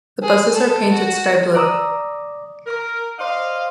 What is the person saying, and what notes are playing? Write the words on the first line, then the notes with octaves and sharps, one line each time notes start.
The buses are painted skyblue.
G#4
A4
F#4
D5 A#5 D#6 E6
A#4
C5 D5 D#5 F5